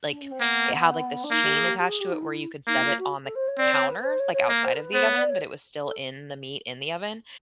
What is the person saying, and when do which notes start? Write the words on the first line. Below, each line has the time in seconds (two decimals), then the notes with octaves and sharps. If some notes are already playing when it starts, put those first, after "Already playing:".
like, it had, like, this chain attached to it where you could set it on the counter, like, outside of the oven, but it was still in the meat in the oven,
0.10 D4
0.21 C#4
0.31 C4
0.41 A#3 B3
1.23 D4
1.31 A#3 D#4
1.43 G4
1.54 G#4
1.66 G4
1.77 G4
1.88 G#4
2.00 G4
2.11 D#4
2.22 E4
2.67 A#3 D#4
2.82 F4
2.98 F#4
3.24 A4
3.35 C5
3.47 C#5
3.58 C4 D5
3.73 C#5
3.89 B4
3.99 B4
4.04 C5
4.19 C#5
4.33 C#5
4.49 A#3
4.64 C5
4.74 A#4
4.79 B4
4.93 B3 C5
5.05 C#5
5.17 D5
5.29 C#5
5.85 A4